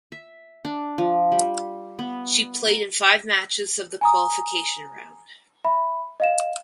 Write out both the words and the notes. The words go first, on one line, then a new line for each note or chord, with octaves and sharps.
She played in five matches of the qualification round.
E5
D4
F3
G3
B3
A#5
G#5 A#5 D#6
E5 B5
D#5 F5 E7